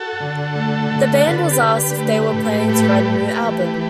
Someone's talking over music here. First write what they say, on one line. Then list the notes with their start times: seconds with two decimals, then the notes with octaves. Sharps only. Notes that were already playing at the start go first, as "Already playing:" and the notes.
The band was asked if they were planning to write a new album.
Already playing: F#4 A4
0.20 D3
0.55 A3
0.91 D3
1.27 D3 B4
1.39 A4
1.51 G4 B4
1.62 D3
1.97 A3
2.33 A2
2.68 A3 G4 B4
3.05 A3
3.40 E3